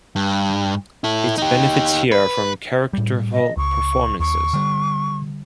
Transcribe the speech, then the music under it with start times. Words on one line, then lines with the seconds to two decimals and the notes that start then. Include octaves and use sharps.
It benefits here from characterful performances.
0.16 G2
1.04 E4 A4
1.38 D#4 G4
2.12 B4
2.93 A2 G3
3.33 D#5
3.57 C#2 C#6
4.20 D#2 C#6
4.53 D3 G3